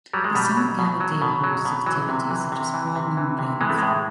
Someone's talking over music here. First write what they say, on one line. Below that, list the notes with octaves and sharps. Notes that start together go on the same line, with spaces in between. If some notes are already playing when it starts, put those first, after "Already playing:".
The summer Gala Day hosts activities such as sporting events.
F#3 G3
G#3
B2 G3
F#3
B2
F#3
B2
F#3
B2
E3 F#3
C3
E3
C3
E3
C3
E3
C3
E3 G#3
A3
A2 G#3